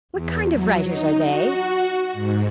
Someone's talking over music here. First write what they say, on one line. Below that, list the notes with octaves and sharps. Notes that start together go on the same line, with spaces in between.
What kind of writers are they?'
E2
F#3
D#4
F#4
G#2